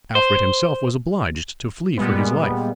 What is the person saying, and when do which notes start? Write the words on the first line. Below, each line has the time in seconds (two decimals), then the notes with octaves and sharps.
Alfred himself was obliged to flee for his life.
0.15 C5
1.97 A#2 G3 G#3 B3